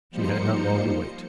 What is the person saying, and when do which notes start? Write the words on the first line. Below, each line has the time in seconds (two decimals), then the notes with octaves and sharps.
She had not long to wait.
0.11 F3 G3 A#3 D#4 C5 C#7